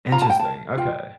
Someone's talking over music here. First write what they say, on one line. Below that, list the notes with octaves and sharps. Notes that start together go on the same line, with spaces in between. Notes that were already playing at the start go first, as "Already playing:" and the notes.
Interesting, okay.
F4 A#5
A5
G5
A#4 A5
F4 G5